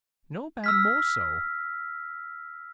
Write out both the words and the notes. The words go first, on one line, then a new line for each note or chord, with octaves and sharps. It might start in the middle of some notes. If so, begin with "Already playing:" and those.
"No man more so."
E6 F6 B6